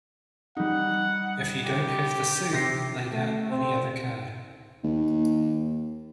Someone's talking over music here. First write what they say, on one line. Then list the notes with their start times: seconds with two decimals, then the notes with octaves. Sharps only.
If you don't have the suit, lay down any other card.
0.57 G3 D#4 F#5
1.65 G4
2.53 C3 A#6 C7
3.11 A3
3.49 C4
4.84 D#2